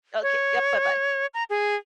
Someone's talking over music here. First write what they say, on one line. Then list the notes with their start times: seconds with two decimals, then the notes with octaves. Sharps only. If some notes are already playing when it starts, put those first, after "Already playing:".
Okay, yep, bye-bye.
0.22 C#5
1.34 A#5
1.50 G#4